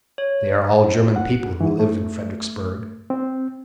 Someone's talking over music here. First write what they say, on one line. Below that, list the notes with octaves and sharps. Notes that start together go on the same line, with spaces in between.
They are all German people who live in Fredericksburg.
C#5
F#5
E3
A3
C4